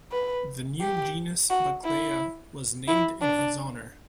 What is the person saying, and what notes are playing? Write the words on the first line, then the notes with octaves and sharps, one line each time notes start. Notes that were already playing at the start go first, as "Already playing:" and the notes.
The new genus "Buckleya" was named in his honor.
B4
G4
F#4
E4
E4
D4